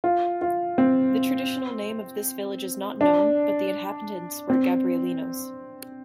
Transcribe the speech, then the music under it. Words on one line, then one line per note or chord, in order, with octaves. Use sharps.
The traditional name of this village is not known, but the inhabitants were Gabrielinos.
F4
F4
C4
D4
C4